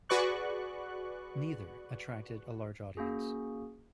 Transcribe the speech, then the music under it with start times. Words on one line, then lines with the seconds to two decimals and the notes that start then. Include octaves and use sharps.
Neither attracted a large audience.
0.09 F#4 G#4 B4 D5 C#6 F#6
2.97 A#3 C#4 F#4 G#4